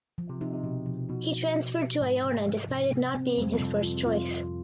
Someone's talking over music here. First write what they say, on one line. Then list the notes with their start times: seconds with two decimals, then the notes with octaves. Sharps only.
He transferred to Iona despite it not being his first choice.
0.18 F3
0.29 C3
0.41 C3 D#4
0.53 C3
0.64 B2 F3
0.86 F3
1.09 B2 D#4
1.33 D#4
1.55 D#4
1.77 G4
2.01 G#2 F3
2.24 C3
2.46 F3
2.69 C3
2.91 C3
3.15 C4
3.38 F2 G3
3.52 F2
3.60 C3
3.68 F2
3.83 F4
4.06 F4
4.29 F4